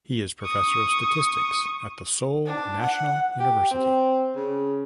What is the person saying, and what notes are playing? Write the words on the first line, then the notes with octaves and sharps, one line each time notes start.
He is Professor of Statistics at the Seoul National University.
C#6 D#6
D4
F#5
G4
C4
C#3